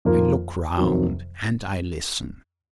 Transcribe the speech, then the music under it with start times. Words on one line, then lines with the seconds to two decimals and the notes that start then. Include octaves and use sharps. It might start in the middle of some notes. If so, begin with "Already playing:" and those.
I look round and I listen.
0.05 F2 D#3 A#3 F4
0.77 F2 C3 D#3 F#3